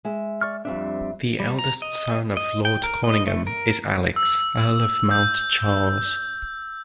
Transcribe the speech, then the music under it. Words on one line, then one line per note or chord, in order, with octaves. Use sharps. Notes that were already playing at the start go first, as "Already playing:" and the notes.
The eldest son of Lord Conyngham is Alex, Earl of Mount Charles.
G#3 E5
D5 C#6 F6
F2 G3 C4 D4 E5
G3
A#5
D#5
D#5
G5
A#4
D#5
A3
A#4
E6
G6